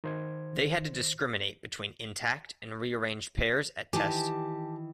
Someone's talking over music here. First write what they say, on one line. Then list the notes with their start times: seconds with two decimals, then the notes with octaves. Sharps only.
They had to discriminate between intact and rearranged pairs at test.
0.04 D#3 C5 G#6
3.93 D#3 E3 G4 G#5 A5